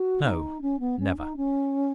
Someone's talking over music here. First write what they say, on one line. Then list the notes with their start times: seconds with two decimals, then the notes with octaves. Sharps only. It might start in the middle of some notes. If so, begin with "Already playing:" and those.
"No, never."
Already playing: F#4
0.23 D#4
0.61 C#4
0.79 B3
0.99 C#4
1.17 D#4
1.36 C#4